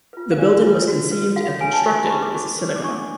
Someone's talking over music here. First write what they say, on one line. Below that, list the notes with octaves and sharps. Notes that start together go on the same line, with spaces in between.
The building was conceived and constructed as a synagogue.
F4 B4
F5
D4 D5
F4 B4
F#4
B4
F#4 F5
C#5
B4 G#5
A5
F#4 C#6
B5
B4 C#6
D6
F#4 C#6
B4
D6
D4 C#6